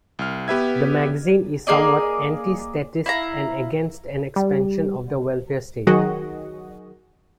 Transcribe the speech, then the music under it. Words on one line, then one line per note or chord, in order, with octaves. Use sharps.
The magazine is somewhat anti-statist and against an expanison of the welfare state.
C2 F6
B3 G4 B4 E5 G#6
A#3 G#4 D5 D#5
E4 F5 A#5
G3
D#3 F#3 F#4 G#4 D#5